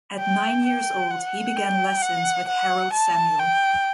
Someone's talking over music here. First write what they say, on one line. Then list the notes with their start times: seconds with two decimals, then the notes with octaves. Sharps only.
At nine years old he began lessons with Harold Samuel.
0.20 G5
0.66 G5
1.10 F#5
1.56 G5
2.02 F#5
2.48 F#5
2.93 A5
3.39 G5